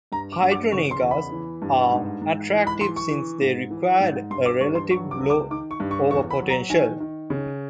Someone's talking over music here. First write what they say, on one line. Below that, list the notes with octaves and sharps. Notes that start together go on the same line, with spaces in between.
Hydrogenases are attractive since they require a relatively low overpotential.
G2 A#5
D6
G2
D6
C#3 C#6
C6
E2
B5
E3
G2
G#2
G#2
E3
B5
E3 C6
C#6
E3
G#2
E3
G#2
G2 C6
D6
G2 C#6
C6
F#3 C#6
D6
C#2
D6
D#3 D6
C#6
G2
C#6
E2 C#6
B5
F#3
A#5
D#3 G#5
D#3
C#3